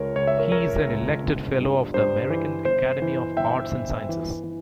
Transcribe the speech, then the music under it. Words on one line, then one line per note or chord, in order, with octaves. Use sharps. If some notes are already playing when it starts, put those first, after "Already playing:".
He is an elected Fellow of the American Academy of Arts and Sciences.
Already playing: C#2 A#4 C#5
C#2 C#5
E5
A#4 C#5
C#2 A#4 C#5
C#2
G1
G2
G2 C5
E3
G1 C5
E3
G1 E5 G5
G1
E3
E3